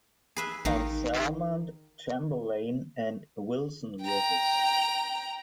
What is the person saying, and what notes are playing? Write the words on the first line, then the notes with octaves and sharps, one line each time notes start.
On Salmond, Chamberlain, and Wilson rivers.
G#4 B4 E5
A1 D#3 D#4 F5
G5 A#5